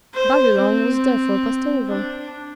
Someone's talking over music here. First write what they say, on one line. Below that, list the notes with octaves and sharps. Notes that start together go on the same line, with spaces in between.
Barillon was therefore passed over.
C5
C4
D4